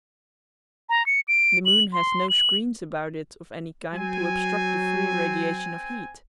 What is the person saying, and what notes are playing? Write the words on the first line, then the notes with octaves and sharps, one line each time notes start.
The moon has no screens about it of any kind to obstruct the free radiation of heat.
A#5
C#7
D7
F#7
C6
F#7
F#3 C4 G#5